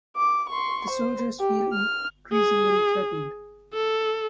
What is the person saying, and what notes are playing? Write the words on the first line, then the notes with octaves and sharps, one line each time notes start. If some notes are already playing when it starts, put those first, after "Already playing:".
The soldiers feel increasingly threatened.
D6
C6 C#6
C5
G4
F6
G#4
A4